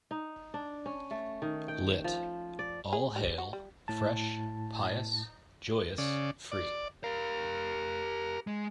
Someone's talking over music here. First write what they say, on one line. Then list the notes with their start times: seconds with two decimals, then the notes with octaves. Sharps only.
Lit. All hail, fresh, pious, joyous, free.
0.11 D#4
0.54 D4
0.86 C#4
1.11 A3
1.42 D#3
1.68 G5
2.04 F3
2.59 D5
2.93 G#4
3.16 G3
3.38 F#4
3.53 G3
3.88 A2 A5
5.98 C#3 D5
6.52 D5
7.04 G4 A#4 F5
8.47 G#3